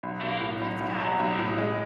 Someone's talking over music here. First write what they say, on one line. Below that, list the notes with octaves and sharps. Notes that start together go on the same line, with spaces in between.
and this guy's, like,
B1
B1
A2
B1
B1
F#3
B1
A2
G#3